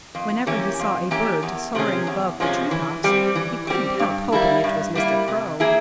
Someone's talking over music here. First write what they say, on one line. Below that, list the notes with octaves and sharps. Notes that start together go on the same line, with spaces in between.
Whenever he saw a bird soaring above the tree-tops he couldn't help hoping it was Mr. Crow.
F2
E3 A#3 C#4 G4
F2
E3 A#3 C#4 G4
E2
C3 F3 G#3 C#4
E2
C3 F3 G#3 C#4
E3
G3 C4 G4
E3
G3 C4 G4
G2
G3 A#3 E4
G2
G3 A#3 E4
C3
E3 A#3 E4 G#4